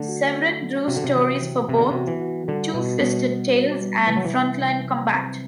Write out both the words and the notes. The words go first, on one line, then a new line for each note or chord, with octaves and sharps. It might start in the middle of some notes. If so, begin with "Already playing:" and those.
Severin drew stories for both "Two-Fisted Tales" and "Frontline Combat".
Already playing: D3 F#3 A3 D4
F#4
D4
F#3
C3 F#4
D3
C3
E3
E3
C3 B3
D3
C3 F#4
E3
F#4
D3 G3
B2 B3
B2 G3
B3
B3
G3
C3 E3
F#3
E3
C4
C3
F#3
C4